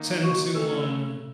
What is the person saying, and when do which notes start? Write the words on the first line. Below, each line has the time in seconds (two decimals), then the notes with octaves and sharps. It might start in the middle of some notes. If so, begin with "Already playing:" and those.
tend to, um
Already playing: D#3 A#3 D#4
0.24 F#4
0.55 C#3 A3 C#4 A4